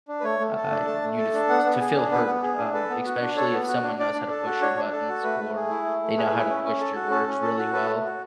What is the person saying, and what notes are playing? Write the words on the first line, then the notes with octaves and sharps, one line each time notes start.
uh, you to f to feel heard, um, especially if someone knows how to push your buttons or they know how to twist your words really well.
D4
B4
A3 C#5
A3
A4
D4
A3 A5
A3
A4
D4
B3 F#5
B3
G#4
D4
B3 B4
B3
G#4
D4
A4 B4
B3
F#4
D4
A4 C#5
B3
F#4
D4
D4 D5
D4
A4
F#4
D4 C#5
D4
A4
F#4
A3 B4
A3
G#4
E4
A3
A3
G#4 B4
B4
E4
B4
C#4
C#4
A4
F#4
C#4 A4
C#4
A4
F#4
A4 B4
A3
F#4